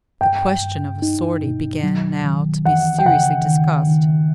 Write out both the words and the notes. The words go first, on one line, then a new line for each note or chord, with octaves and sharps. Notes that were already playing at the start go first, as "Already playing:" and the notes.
The question of a sortie began now to be seriously discussed.
G2 G5
G2
D#4
B2
F#3
D#3
E3 F#5
G5
C#3 F#5
D#3
D#3